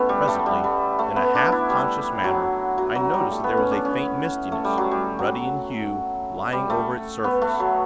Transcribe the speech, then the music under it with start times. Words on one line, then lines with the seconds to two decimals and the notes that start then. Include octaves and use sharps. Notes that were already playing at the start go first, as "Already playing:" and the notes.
Presently, in a half-conscious manner, I noticed that there was a faint mistiness, ruddy in hue, lying over its surface.
Already playing: A3 B3 C#4 E4
0.09 G3
0.28 A3
0.46 G3
0.64 G3
0.99 A3
1.16 B3
1.35 D4
1.52 E4
1.70 G3
2.24 F#3
2.78 F#3
2.95 F#3
3.14 G3
3.31 A3
3.44 B3
3.57 C#4
3.71 D4
3.85 C#4
4.52 A3
4.64 G3
4.78 F#3
4.91 G3
5.19 F#3
6.53 G3
6.70 A3
7.24 B3
7.42 A3
7.60 F#3